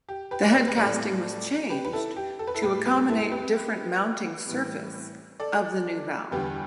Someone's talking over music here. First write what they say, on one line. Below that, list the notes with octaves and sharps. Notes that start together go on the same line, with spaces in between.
The head casting was changed to accommodate different mounting surface of the new valve.
G4
G4 B4
D5
G4 B4
B4
A2 G3 A4 D5
G4 B4
B4
E4 A4
G4
A4
B4
E4 A4
A2 G3 G4 B4
G4 B4
E4 A4
G4 B4
A2 E3 G3
A4 D5
E2 D3 G3 G4 B4